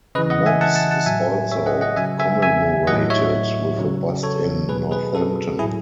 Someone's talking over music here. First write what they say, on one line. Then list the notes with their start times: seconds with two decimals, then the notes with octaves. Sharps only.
Mobbs is also commemorated with a bust in Northampton.
0.15 C#3 B4 D#5
0.18 E3
0.30 D#5 F#5
0.46 E5 G#5
0.61 F#5 A5
0.75 F#5 A5
0.91 F#5 A5
1.06 A2 F#3 E5 G#5
1.51 C#5 E5
1.66 D#5 F#5
1.81 D#5 F#5
1.96 C#3 F#3 E5 G#5
2.19 E5 G#5
2.42 E5 G#5
2.87 A2 F#3 D#5 F#5
3.10 C#5 E5
3.78 C#3 F#3
4.23 A4 C#5
4.69 B2 F#3 G#4 B4
4.91 G#4 B4
5.15 F#4 A4
5.59 A2 F#3 E4 G#4